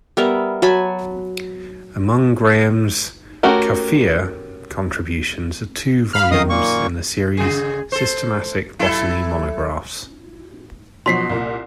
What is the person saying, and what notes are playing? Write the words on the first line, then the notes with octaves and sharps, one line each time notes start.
Among Graham's "Cuphea" contributions are two volumes in the series "Systematic Botany Monographs".
G3 B3 A#4 E5
F#3 G#5 A5 B5
A3 C#4 F#4 G4 A#4
F5 B5 F6
F#2 D#3 D#5 F5 D#6
A#2 A#3 C#6
C#3 G#4
A4 C5
F#3 E4 A4
B2 F3 F#3 C6 B6 C7
C2 A#2